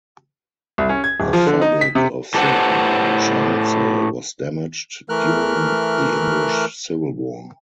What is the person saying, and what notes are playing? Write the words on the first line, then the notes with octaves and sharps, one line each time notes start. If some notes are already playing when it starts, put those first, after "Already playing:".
The fabric of the chancel was damaged during the English Civil War.
C2
C#4
G#6
D1
F3
D3
D#4
B6
C3
A2 G4 A4 B4 C5 F#5
E3 A3 A#4 F6 F#6